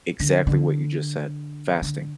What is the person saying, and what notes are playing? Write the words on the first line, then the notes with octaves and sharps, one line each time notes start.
Exactly what you just said: fasting.
D3
D3
D3